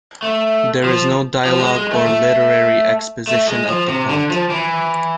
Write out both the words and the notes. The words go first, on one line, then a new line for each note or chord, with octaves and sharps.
There is no dialogue or literary exposition of the plot.
A3
F3
F3
G#3
G#3
A3
A3
A3
G#3
F3
C3
D3
F3
E3